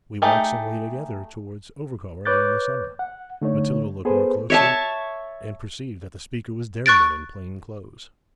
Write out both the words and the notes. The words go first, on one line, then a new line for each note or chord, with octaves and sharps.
We walked some way together towards Overcombe earlier in the summer.' Matilda looked more closely, and perceived that the speaker was Derriman, in plain clothes.
A3 D#4 G4 G#4
B4 C#5 D6 F#6 G6 A6
F#5
D3 A3 D#4 C#5
B3 G#4 A4 B4 C5
C#5 E5 A5
C#6 F#6 A6 D7